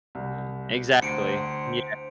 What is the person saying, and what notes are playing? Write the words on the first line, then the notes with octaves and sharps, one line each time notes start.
meh exactly, yeah.
C2
D2 C5 C#7 D7